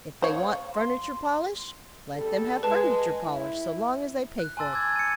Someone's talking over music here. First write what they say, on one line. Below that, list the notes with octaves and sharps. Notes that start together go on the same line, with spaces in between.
'If they want furniture-polish, let them have furniture-polish, so long as they pay for it.
C5 C#5 F5
C6
E2 G3 A4
G#3 B4 A5
E4
F#6
G#5 A5 C6 E6 A6
D6 G#6 A6
C#7 D#7